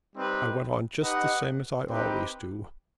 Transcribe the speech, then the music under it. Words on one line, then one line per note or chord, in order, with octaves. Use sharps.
I went on just the same as I always do.
G3 C4 D#4 G4 B4
D#4 G4 B4 D#5 F#5
C4 D#4 G4 B4